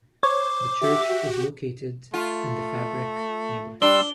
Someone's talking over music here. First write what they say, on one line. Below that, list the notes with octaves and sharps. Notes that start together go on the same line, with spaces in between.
The church is located in the Fabric neighborhood.
C5 C#5 D6
F#4 G4 E5
A3 F4
G3 D4 C6 E6 G7